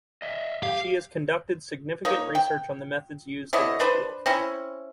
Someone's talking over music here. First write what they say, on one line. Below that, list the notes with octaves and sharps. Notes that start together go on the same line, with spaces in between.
She has conducted significant research on the methods used in this field.
D#5 E5
G4 F5
A#3 D#4 C#5
G5
D3 E4 C#5 D#5
D4 B4 C5
C4 C#4 E4